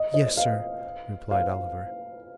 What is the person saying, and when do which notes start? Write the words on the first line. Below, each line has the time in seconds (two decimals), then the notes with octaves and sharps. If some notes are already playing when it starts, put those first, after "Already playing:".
'Yes, sir,' replied Oliver.
Already playing: D#5
0.14 D#5
0.26 D#5
0.37 F5
1.31 F5